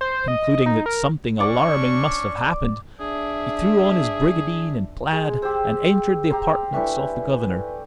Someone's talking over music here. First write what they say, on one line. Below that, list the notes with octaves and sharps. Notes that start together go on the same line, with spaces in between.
Concluding that something alarming must have happened, he threw on his brigandine and plaid, and entered the apartments of the governor.
C5
D#5
D#4
A#4
C#4 D4 D5 C#6
D4 G#4 E5
G#3 G#4
G4 G#4 C5 E6
G4 A#5 C6
A3 D4 E4 B4 G#5